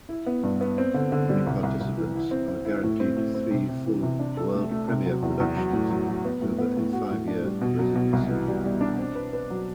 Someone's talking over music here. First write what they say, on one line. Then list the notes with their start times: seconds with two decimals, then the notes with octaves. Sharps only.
The participants are guaranteed three full world-premiere productions over a five-year residency.
0.09 E4
0.26 B3
0.43 G2
0.61 B3
0.78 C4
0.94 D3
1.12 D3
1.29 G3
1.47 C2
1.63 C2
1.81 C2
1.97 E3
2.15 E4
2.31 C4
2.48 C4
2.65 E4
2.84 A2
3.00 C4
3.17 A2
3.35 C4
3.51 C3
3.69 C3
3.86 E3
4.03 C3
4.19 D4
4.37 A4
4.54 A3
4.71 A3
4.88 C3
5.05 F#3
5.22 E2
5.40 E2
5.56 F#3
5.73 A2
5.90 F#3
6.08 F#3
6.25 B3
6.42 A2
6.59 B3
6.77 A2
6.93 F#4
7.11 A2
7.28 D4
7.44 G3
7.61 B2
7.79 F#3
7.96 B2
8.13 C2
8.30 E3
8.48 G3
8.65 G3
8.81 D4
8.98 C4
9.15 B4
9.33 B4
9.50 F#3